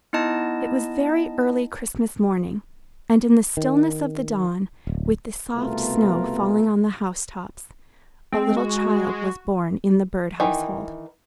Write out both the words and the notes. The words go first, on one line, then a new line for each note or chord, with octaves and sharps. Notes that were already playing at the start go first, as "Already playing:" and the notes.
It was very early Christmas morning, and in the stillness of the dawn, with the soft snow falling on the housetops, a little child was born in the Bird household.
B3 D#4 E4 D#5 A5
D#3
D1
C2 B2 A3 B3 F4 A#4
G#3 C4
F#4
D#3 E3